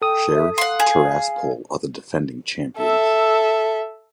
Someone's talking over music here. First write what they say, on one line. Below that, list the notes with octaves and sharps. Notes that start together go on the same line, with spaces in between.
Sheriff Tiraspol are the defending champions.
A4 G5 D#6
E5
F5 F#5 C6
G#4
A4 E5